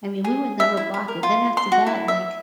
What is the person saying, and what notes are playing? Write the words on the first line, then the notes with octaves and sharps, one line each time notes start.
I mean, we would never block it. Then after that, like,
G#4
E5
E4
B5
A#4
F4
C6
F#4
E4
E5